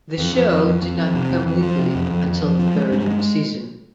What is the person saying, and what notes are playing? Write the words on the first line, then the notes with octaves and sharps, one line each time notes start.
The show did not become weekly until the third season.
F2
F2
F2
F2
F2
F2
C3
F2
F2
F3
C3
F2
F2
F2
F2
F3
G#3
G2
G#3